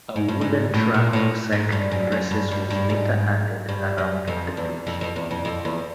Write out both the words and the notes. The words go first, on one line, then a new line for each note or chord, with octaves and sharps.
A wooden track for cycling races was later added around the pitch.
G#2
G2
G#2
A2
A#2
A2
G#2
G2
F#2
F#2
G2
G2
G2
G#2
G2
F#2
F2
E2
F2
F2
E2
F2
F2
E2